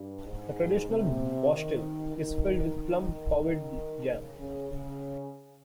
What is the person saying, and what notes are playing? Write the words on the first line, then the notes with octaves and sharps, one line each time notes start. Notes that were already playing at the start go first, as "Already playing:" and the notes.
The traditional Buchtel is filled with plum Powidl jam.
Already playing: G2
G#2
C3
D#3
D#3
C#3
C#3
C#3